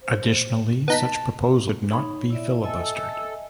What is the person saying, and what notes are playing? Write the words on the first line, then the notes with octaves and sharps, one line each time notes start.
Additionally, such proposals could not be filibustered.
C5
B3 D#4 A5 B6
D#4 C#5 B5
E4 D5 E5
A4 D#5 E5 G#5